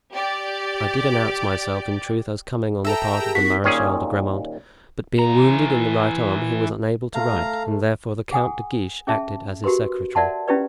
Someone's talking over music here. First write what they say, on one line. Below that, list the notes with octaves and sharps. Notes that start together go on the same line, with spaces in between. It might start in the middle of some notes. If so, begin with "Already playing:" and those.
"I did announce myself, in truth, as coming on the part of the Marechal de Grammont; but being wounded in the right arm he was unable to write and therefore the Count de Guiche acted as his secretary."
G4 D5
A4 E5 G5 A#5 E6
G4 G#4 A#4
C4 D#4 F#4 A#4 B6
D#2 A#2 C#4 G#4
E3 A#5
A3 F4 F5 A#5
G#4 F#5 G#5 D#6
C#4 G#4 E5 A5
F#4 G4 A#4 B4 C6
A#4 D5 E5 F#5 A5 C6
C#4 E4 F4 G4 B4 D5